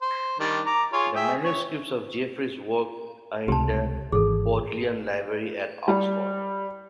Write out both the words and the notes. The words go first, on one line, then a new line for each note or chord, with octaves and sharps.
The manuscripts of Geoffrey's works are in the Bodleian Library at Oxford.
C5
D#3 G3 D4
A#5 D6
F4 G#4 C#5
G#4 E5 G5
C#5
C#2 C3 G4 A5
G#1 E3 G#4 A4
G3